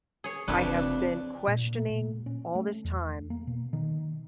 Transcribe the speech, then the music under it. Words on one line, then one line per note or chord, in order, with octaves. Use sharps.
I have been questioning all this time
G#4 C#5
F#1 F2 D4 B4
A#2
A#3
A#2
C#4
A3
E2
A#3
B2
D#3